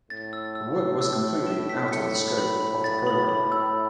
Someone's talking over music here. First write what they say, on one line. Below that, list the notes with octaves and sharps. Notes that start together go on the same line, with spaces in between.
The work was completely out of the scope of the program.
A2 A6
E6
E6
E6
E6
E6
E7
B6
A2 C#7
B5
B5
B5
A6
B5
B5
E6